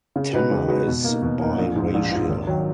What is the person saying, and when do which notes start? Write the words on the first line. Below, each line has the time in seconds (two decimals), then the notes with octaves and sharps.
Tanner is biracial.
0.16 C#3
0.33 G#3 D#4 F#4 B4
0.51 C#3
0.68 G#3 D#4 F#4 B4
0.87 B2
1.04 A#3 D#4
1.22 B2
1.41 A#3 D#4
1.58 A#1
1.76 G#2 F3
1.94 A#1
2.12 G#2 F3
2.30 G#1
2.47 D#3 F#3